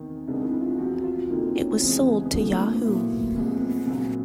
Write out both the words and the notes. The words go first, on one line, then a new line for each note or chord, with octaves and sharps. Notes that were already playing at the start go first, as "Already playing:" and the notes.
It was sold to Yahoo!
Already playing: E2 C3 D#3
C2 C3 D#3 G#3 B3 D4
E4
F4
E2 C3 F3 F#4
F4
F2 D3 F3 A#3 D#4
C#4
F1 E2 C#3 E3 G#3 C4
B3
B3
D2 D3 F3 A#3
A3
A#3
A#2 F#3 A#3 B3 E4
A3
C2 C3 F3 G#3 A#3
B3
A#1 A#2 F#3 C4